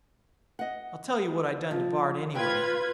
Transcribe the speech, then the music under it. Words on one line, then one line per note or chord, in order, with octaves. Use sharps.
I'll tell you what I done to Bard, anyway.
D#5 F#5
F3
F4 B4 G5 G#6